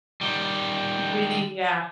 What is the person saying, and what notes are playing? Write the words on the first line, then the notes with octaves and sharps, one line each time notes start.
breathing Yeah,
D#3 G3